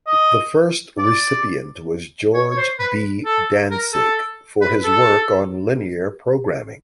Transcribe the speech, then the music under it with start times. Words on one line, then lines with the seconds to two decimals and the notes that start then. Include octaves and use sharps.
The first recipient was George B. Dantzig for his work on linear programming.
0.07 D#5
0.98 D5
2.34 C#5
2.51 C#5
2.57 C5
2.79 B4
3.25 A4
3.71 A#4
3.93 A4
4.61 B4
4.84 A4